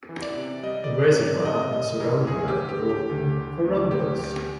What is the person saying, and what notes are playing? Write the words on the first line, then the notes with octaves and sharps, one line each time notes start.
The reservoir and surrounding land are open for ramblers.
E3
D5
C3
G3 D#5
D5
C3
C#5
C3
D5
C3 D#5
G3 D#5
E3 A#4
D2 G#4
G4
D2
G4
D3
G4
D2
D3
D2
D2 G4
D2 G4